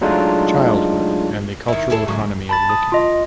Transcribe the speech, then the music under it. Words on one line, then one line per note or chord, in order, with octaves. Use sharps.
Childhood and the cultural economy of looking.
F#3 G#3 A3 D4 D#4 F4
D#3 E4
E4 G#4 A4
G#2 C#3 F#3
A5 B5 A6
D#6
F4 D#5